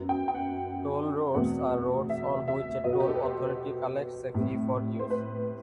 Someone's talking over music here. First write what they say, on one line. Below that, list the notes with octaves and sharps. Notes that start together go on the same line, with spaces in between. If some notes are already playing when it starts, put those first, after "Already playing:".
Toll roads are roads on which a toll authority collects a fee for use.
Already playing: F#2 F#3 B3
G5
G5
F#5
E2 B2 A3 C4 F#5
E5
E5
B2 F#3 B3 D#5
F#4
G4
A4
B4
C5
A2 G3 C4
C5
B4